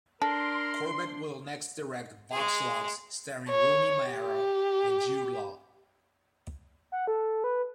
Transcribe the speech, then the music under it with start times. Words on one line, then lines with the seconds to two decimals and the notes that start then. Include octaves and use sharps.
Corbet will next direct "Vox Lux" starring Rooney Mara and Jude Law.
0.22 D4 A4 A#4 C6
2.31 G#3 G#4
3.50 C#5
4.11 G4
6.92 F#5
7.07 A4
7.44 B4